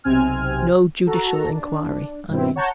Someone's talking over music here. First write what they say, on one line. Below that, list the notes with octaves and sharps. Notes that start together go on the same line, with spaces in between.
No judicial inquiry, I mean.'
B1 C3 C4 G#5 F6
F#4 A4 A#5
D4
G2 B2 C4 E4
C#5 F#5 A5 A#5 G6 C#7